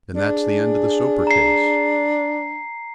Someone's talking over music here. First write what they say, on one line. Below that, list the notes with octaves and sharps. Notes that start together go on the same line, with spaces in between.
Then that's the end of the Soper case.
D4 G#4
A#5 C7